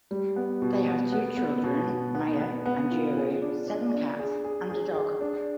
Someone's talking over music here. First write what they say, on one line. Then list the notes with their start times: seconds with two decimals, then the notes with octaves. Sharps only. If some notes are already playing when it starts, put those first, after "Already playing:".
They have two children, Maya and Uri, seven cats and a dog.
0.11 G3
0.36 B3
0.62 B2
0.87 B3
1.13 B3
1.37 B3
1.64 B2
1.89 B2
2.15 B3
2.40 B3
2.66 B3
2.91 F4
3.16 G#4
3.42 D4
3.68 D4
3.93 D4
4.19 G#4
4.45 G#4
4.70 G#4
4.95 G#4
5.21 D4